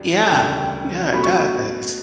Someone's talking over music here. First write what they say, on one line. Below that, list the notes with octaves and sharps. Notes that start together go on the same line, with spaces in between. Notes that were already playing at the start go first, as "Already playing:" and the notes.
Yeah. Yeah, it does.
Already playing: A1 G2 F#3
A5
E1 D2 C#3 G3 D4 G5
G5
B2 F#3 A3 C#4 F#4 B5
C#6
B5